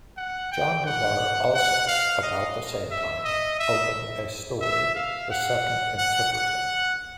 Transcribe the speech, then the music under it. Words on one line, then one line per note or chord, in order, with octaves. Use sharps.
John Dewar, also, about the same time, opened a store, the second in Tiverton.
F#5
G5
F#5
F#5
F5
D#5
E5
D#5
E5
E5
F5
F#5
F#5
F#5